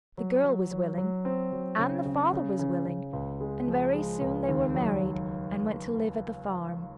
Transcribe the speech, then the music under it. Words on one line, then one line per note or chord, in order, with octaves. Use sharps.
The girl was willing and the father was willing, and very soon they were married and went to live at the farm.
F#3
F#3
F#3
F#3
C4
F#3
C#3
C#3
C#3
C#3
C#3
C#2
G#3
F3
G#3
C#2
D#2
F#3